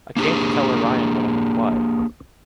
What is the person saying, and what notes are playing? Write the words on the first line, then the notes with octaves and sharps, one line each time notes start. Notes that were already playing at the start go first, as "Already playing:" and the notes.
I came to tell Orion what I implied.
A#3 D4 G4 G#4